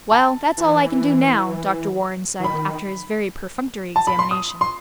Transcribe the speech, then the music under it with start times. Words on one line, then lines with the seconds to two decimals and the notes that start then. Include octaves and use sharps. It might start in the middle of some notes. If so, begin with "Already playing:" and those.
"Well, that's all I can do now," Dr. Warren said, after his very perfunctory examination.
0.11 A5
0.58 E3
2.40 E3
2.44 D#3 B5
3.96 A5
4.07 B5
4.19 C6
4.31 D#6
4.61 C6